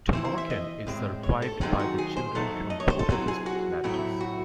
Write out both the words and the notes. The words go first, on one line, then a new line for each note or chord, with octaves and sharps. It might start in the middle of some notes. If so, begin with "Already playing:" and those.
Tomarken is survived by the children from both of his marriages.
E3 C4 E4 C5
C5
E5
D#5
A2 G#3 C4
C#5
A4
D#3 F#3 A3 C4 D#4 G#4
F#4
G#4
C5
F#3 A3 D#4 A4
D#5
C#5
C5
A4
C3 F#3 C4 E4 G#4
G#4
F#4
A2 F#3 A3 C4 E4
F#4